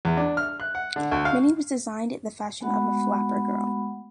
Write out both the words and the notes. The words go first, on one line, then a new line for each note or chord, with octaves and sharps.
Minnie was designed in the fashion of a "flapper" girl.
E2
D4
F6
F#6
F#5
D3
D2
F5
G#3 A3 B3 F#4 F#5 B5